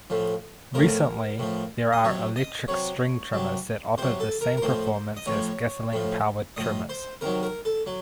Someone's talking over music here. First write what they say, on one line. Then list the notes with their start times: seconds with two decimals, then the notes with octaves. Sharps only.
Recently there are electric string trimmers that offer the same performance as gasoline-powered trimmers.
0.10 A2 F3
0.74 A2 F3 A#4
1.39 A2 F3
1.93 D#5
2.04 C3 F#3 C#5
2.36 D#5
2.68 C3 F#3 C#5
3.33 C3 F#3
3.98 C3 F#3 C5
4.20 A4
4.41 A#4
4.57 A#4
4.62 A2 F3 C5
5.17 D#5
5.27 A2 F3 C#5
5.93 A2 F3
6.56 A2 F3 D#5
6.89 C5
7.21 C3 D#3 F#3 A#4
7.43 A#4
7.65 A4
7.87 F#3